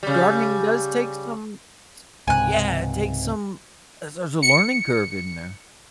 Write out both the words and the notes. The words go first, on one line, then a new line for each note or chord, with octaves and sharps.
Gardening does take some s Yeah, it takes some as there's a learning curve in there.
C#3 G3
C#2 G#2 C3 G#5 F#6
C#7